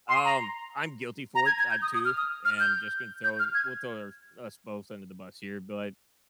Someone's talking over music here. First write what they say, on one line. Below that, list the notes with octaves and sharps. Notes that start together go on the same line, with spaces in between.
Um, I'm guilty for it, uh too, and just gonna throw we'll throw us both under the bus here, but, like,
C6
A#5
A#5
G#6
G#6
G6
D#6
D#6
F6
D#6
F6
G6
G6
F6
G#6